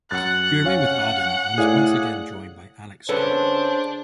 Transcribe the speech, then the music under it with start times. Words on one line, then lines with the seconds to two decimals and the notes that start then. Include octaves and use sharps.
He remained with Arden and was once again joined by Alex Connor.
0.11 F#2 F#5 F#6 A6
0.65 C#4 C#5 F5
1.58 A2 G#4 D5 F5
3.09 C#3 D4 A4 B4 C5 F#5